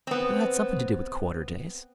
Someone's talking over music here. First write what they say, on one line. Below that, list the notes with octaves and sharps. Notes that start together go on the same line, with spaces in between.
But it had something to do with quarter-days.
B3 C4